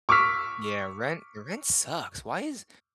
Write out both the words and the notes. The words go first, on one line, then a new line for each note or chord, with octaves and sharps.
Yeah. Rent your rent sucks. Why is
C#6 D6 E6 F6 B6